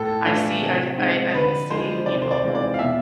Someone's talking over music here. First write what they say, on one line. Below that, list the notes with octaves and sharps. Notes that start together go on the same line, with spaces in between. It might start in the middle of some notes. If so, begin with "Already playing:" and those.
I see I I I can see, you know,
Already playing: A2 A4
E3 A3 D4 F4
C3
G#3 C4
D3 B4
F3 G#3 D4 C5
C3 D5
C5
D5
E3 G#3 C4 F4
D5
F5
B2 E5